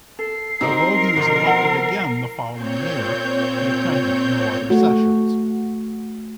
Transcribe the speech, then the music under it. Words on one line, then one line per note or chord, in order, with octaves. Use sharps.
Although he was elected again the following year, he attended no other sessions.
A4 C7
C4 D#4 F#4 G4 A#4 D#5
B2 F3 F#4
E4 F#5
A#2 C4 C#5 G6
A3 F#4